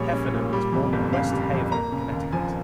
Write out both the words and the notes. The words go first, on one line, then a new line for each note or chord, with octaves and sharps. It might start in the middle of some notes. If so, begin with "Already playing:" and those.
Heffernan was born in West Haven, Connecticut.
Already playing: A#1 A#2 G3 C#4 G#4 C#5
C#4
A#2
G3
F2
G1
C#3 F5
G3
F2
A#3 A#5
C#3
D#2
F3 G#5